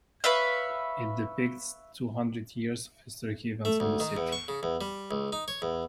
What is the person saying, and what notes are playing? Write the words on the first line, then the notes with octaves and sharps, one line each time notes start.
It depicts two hundred years of historic events in the city.
B4 C#5 E5 F5
A3
D2
D#3
E2
C#6
C#3
E2
G3
C#2
D#4
C#5
E2